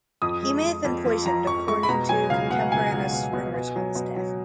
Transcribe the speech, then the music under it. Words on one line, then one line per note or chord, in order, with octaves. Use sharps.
He may have been poisoned, according to contemporaneous rumors about his death.
F2 D#6
G#3
F2
F2
F3
F3 A#5
F2 C#6
G#3 C#6
B5
B2 A#5
F#3 G#5
C#2 F5
B2 F#5
C#2 G#5
C#2
B2
B2
B2
F#3
B2
F#3